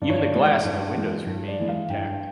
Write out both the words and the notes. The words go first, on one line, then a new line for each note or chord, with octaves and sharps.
Even the glass in the windows remained intact.
G2 D5
C#5
D5
E3 G#3
G2
E3 G#3
G2
D5
E3 G#3
F5
G2 G5